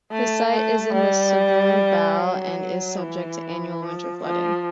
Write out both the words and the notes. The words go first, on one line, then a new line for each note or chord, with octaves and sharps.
The site is in the Severn Vale and is subject to annual winter flooding.
A3
A3
G3
F#3
E3
F3
F3